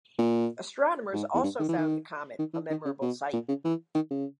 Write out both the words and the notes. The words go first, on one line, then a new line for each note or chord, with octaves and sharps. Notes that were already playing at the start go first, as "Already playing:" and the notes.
Astronomers also found the comet a memorable sight.
A#2
G#2
E2
G2
D#3
E3
D#3
D#3
E3
D#3
C#3
B2
A#2
C#3
E3
D#3
C#3